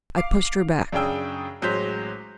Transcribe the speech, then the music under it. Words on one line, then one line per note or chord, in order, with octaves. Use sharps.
I pushed her back.
F5 D6 C7
F#2 C#3 D4 G#4 G5 E6
A1 F#3 G#3 C5 G6 B6